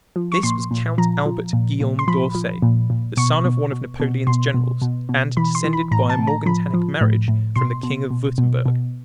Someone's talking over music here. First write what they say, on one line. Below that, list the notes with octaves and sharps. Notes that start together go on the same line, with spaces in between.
This was Count Albert Guillaume d'Orsay, the son of one of Napoleon's generals, and descended by a morganatic marriage from the King of Wurttemburg.
F3
C#6
A#2 C6
A#2
F3 A#5
F3
A#2
A#2
C6
F3 B5
F3
A#2
A#2
B2 C#6
B2
B2
B2
B2 C6
B2
B2
B2
E3 B5
C6
E3
B5
A2 A#5
A5
A2
A#5
F3 B5
F3
A2
A2
B2 C6
B2
B2
B2
B2